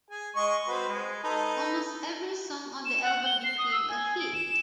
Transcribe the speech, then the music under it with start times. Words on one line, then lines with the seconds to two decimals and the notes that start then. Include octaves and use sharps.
Almost every song on the album became a hit.
0.11 G#4 G#5
0.36 G#3 D#5 C#6
0.68 C4 F#4 B4
0.88 G#3
1.23 D#4 A4 B4
2.85 E7
3.03 F#5
3.25 G7
3.44 C7
3.58 D#6
3.71 E6
3.89 G#5
4.20 D7
4.34 E7